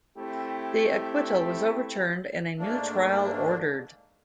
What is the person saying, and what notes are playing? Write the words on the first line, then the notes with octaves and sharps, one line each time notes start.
The acquittal was overturned and a new trial ordered.
A3 C4 E4 G4
G#2 A3 A#3 D4